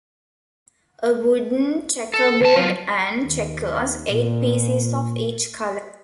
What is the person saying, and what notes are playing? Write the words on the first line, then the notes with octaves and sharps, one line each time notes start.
A wooden checkerboard and checkers, eight pieces of each colour.
A4
D2 A5
F#3 F4
D#2
A#2